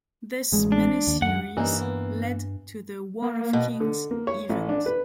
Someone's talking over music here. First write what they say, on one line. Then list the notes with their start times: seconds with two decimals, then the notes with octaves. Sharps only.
This mini-series led to the War of Kings event.
0.52 A1 G#3
0.72 D4
1.07 D#2
1.22 F#2 F#5
1.57 G2 E3 G3 A#3 C#4 D#4
1.81 B3
3.22 A#3
3.53 B2
3.80 D3
4.11 A#3
4.27 C#5
4.49 A1
4.69 D4
4.86 B4